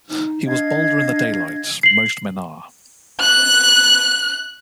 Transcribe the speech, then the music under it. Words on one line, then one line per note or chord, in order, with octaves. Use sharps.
He was bolder in the daylight — most men are.
D#4
D4 D#5 F5 G#6
C7 F#7
F#6